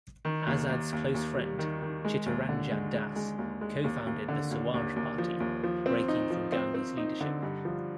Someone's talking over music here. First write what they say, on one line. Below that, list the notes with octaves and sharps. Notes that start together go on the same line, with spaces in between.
Azad's close friend Chittaranjan Das co-founded the Swaraj Party, breaking from Gandhi's leadership.
D#3
D#2
D#2
D#2
D#2
G3
D#3
D#3
G#3
D#2
D3
G#3
G#3
G#3
D#2
G#3
D#2
D#2
D3
D#2
D#2
D#2
F3
D#2
F3
C4
D#4
F3
C4
C4
D#4
D3
G2
F3